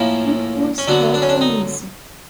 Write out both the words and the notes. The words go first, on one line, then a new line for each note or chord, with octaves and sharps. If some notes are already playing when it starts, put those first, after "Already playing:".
In Who Stole Feminism?
Already playing: A2 F3 A#3 C#4 E4
C#4
D3 F#3 B3 D4
D4
C#4
D4
D#4